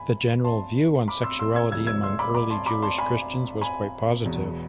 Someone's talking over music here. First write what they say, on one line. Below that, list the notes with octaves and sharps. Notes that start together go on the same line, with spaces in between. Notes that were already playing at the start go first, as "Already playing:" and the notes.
The general view on sexuality among the early Jewish Christians was quite positive.
Already playing: E1 G#5 B5
A5 C6
B5 D6
C6 E6
C6 E6
E6 G#6
D2 C3 F3 G#3 E6 G#6
E6 G#6
C6 E6
B5 D6
B5 D6
A5 C6
B5 D6
A5 C6
G#5 B5
G#5 B5
E1 E2 B2